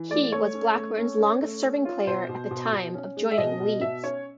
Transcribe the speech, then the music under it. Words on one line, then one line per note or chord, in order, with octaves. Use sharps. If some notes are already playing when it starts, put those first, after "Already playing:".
He was Blackburn's longest serving player at the time of joining Leeds.
Already playing: E3
A3 D5
A3 C#5
C#4
A3
C#4
C#4
A3
C#4
F4
B2 C5
B2
B2
B2
C#4
G#3
E5
B2 D#5
B2
B2 E5
C#4 C#5